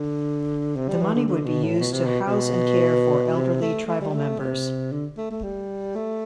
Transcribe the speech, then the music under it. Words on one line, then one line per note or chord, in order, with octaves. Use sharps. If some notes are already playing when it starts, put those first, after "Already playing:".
The money would be used to house and care for elderly tribal members.
Already playing: D3
C3
G3
E3
D3
D3
B2
A2
B2
C3
B2
C3
B2
C3
A3
A3
G3
A3
C3
D3
A3
A3
G3
A3